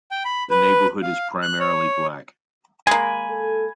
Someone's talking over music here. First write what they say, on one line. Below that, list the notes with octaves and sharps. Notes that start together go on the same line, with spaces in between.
The neighborhood is primarily black.
G5
B5
B4
F5
F#6
C#5
G#3 A#3 G#5 B5
A4